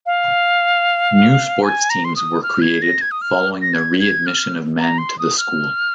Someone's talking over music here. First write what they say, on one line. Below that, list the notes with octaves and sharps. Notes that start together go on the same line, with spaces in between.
New sports teams were created following the readmission of men to the school.
F5
G#5
A#5
C6
D#6
F6
G#6
A#6
G#6
D#6
F6
A#6
G#6
G#6
F6
A#5
C6
D#6
F6